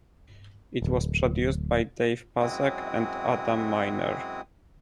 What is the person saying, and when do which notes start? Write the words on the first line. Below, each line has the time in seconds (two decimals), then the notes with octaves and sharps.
It was produced by Dave Puzak and Adam Miner.
0.82 D1
2.40 F#2 G#3 C4 E4 F#4 D#6